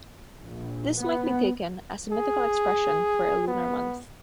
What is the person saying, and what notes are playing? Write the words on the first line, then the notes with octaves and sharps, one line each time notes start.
This might be taken as a mythical expression for a lunar month.
A#1
B3
G#4
B3